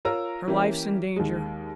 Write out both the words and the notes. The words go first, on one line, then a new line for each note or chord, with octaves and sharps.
Her life's in danger.'
F4 A#4 C#5 A#5 E6
E3 A#3 C#4 G4
D#2 G#3